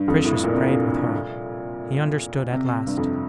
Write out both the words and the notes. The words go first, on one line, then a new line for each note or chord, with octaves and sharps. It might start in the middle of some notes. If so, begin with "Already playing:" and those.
Patricius prayed with her; he understood at last.
Already playing: G2
F2
A2
A#2
C3
A#2
C3
G2
F2